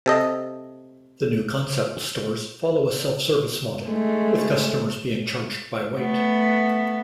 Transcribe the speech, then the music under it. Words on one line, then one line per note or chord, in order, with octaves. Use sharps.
The new concept stores follow a self-service model, with customers being charged by weight.
C3 A4 D#5
G#3 A3
A3 B3